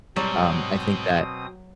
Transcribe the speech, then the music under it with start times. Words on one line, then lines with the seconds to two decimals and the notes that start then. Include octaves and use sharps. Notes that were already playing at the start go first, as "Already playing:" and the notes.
um, I think that
0.16 G#2 B2 F#3 G3 C4 D#6